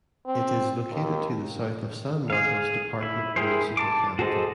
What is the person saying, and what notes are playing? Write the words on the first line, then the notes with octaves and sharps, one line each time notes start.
It is located to the south of San Marcos Department municipal capital.
C4
D#2
G#4 F5
E4
E4 G4 G#4 A#4 C5
A5 D6
F#4 G#4 A4 C5 D#5